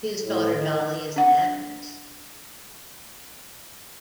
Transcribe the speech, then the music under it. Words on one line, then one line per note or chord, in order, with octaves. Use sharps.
His daughter Dolly is an actress.
A2
D#3
D4 F#5